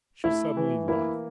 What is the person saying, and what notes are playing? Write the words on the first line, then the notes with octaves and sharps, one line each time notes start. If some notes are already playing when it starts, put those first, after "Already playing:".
She suddenly laughed.
A3 E4
E3
A#3 E4